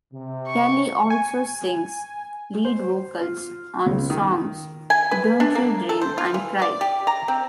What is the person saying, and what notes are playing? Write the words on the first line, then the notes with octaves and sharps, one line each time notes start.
Kelly also sings lead vocals on songs "Don't You Dream" and "Pride".
C3
C#6
G#5
C5
F4
C#2
D#3
G#5
B4
D4
A#3
A4
C5
F4
E3
D5
G4
A#5
C4